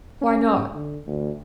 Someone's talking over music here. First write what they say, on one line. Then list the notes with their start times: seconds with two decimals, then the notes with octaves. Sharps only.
"Why not?"
0.22 C#4
0.75 D3
1.07 D2